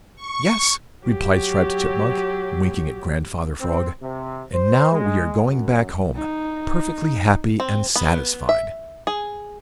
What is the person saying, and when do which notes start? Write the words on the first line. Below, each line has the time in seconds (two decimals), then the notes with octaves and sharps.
"Yes," replied Striped Chipmunk, winking at Grandfather Frog, "and now we are going back home perfectly happy and satisfied."
0.16 C#6
1.06 F#3 G4
3.60 C4
4.01 C3
4.53 C5
4.92 G#3
5.47 F#2
6.16 D#4
7.60 C4
7.96 B3
8.49 E5
9.07 G#4